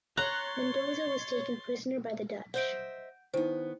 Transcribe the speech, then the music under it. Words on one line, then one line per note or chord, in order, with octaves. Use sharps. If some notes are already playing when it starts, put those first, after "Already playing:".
Mendoza was taken prisoner by the Dutch.
C#5 A#5 C6 F#6 A6
C5 D#5 E5 F#5 G6 D7
D#3 B3 D#4 E4 C5